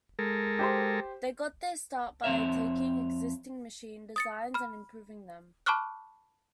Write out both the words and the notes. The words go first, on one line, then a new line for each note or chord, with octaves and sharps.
They got their start by taking existing machine designs and improving them.
G#3 A4 A#4
G4 C5 C6
F2 C4 C#5 E5
D#6 A6 C#7
B5 F6
A5 B5 C#6 D6 F6 F#6